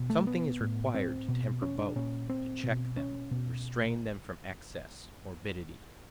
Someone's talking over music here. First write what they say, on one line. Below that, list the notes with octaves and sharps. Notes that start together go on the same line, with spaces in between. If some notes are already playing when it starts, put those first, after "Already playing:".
Something is required to temper both--to check them, restrain them from excess, morbidity.
Already playing: B2
A3
B3
A2
C4
B2
C#4
D4
A#2 C#4
C4
B2
C#4
B2